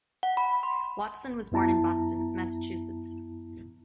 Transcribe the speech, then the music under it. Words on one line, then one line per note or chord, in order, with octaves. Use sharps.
Watson was born in Boston, Massachusetts.
F#5
B5
C6
F#2 B3 E4 A5 A#5